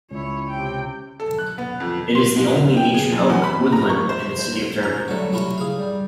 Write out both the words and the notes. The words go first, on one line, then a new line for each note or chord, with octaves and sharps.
It is the only ancient oak woodland in the city of Derby.
C#2 C#4 E4 C#5
C3 G5
A4
F#6
B3
F2
C6
G#2
F7
G5
G#4
F#2
E2
B5
A#5
C#6
C5
C5
C#4 A#5
F#3 G3 A3
C3 F#3 C#4 E4
C#3 G#4 F5
G3